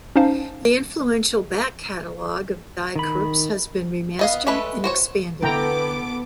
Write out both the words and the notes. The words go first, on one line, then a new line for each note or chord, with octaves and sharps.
The influential back-catalogue of Die Krupps has been remastered and expanded.
C#4 D#4 C5 F5 A5
D#3 B5
B3 D#5 F5
G#3 A3 A4 B4 B5
F#4 C5 C#5
D3 B3 E4 A4 G5 A#5 D6